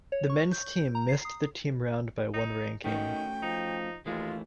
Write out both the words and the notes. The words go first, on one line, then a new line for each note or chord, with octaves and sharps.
The men's team missed the team round by one ranking.
C#5
C#6
G6
A#5
C7
D#6
D#4
D#3 A3 C#4 D#4 F#4 G5
F3 D#4
D#2 E3 G#3 A3 F4